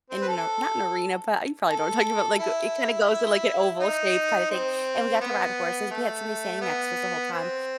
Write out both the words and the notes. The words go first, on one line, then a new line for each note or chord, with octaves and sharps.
in a not an arena, but you probably know what I'm talking about, like, it kinda goes to, like, an oval shape kinda thing, and we got to ride horses, we had somebody standing next to us the whole time
C4
B4
A4
A4
E4
D#4
C4
B3
A3
B3
C4